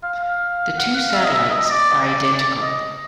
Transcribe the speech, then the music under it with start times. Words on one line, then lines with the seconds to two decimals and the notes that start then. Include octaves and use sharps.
The two satellites are identical.
0.03 F5
0.22 F5
0.77 F#5
0.96 F5
1.14 E5
1.24 D#5
1.34 E5
1.51 D#5
1.65 D#5
1.70 D5
2.62 D#5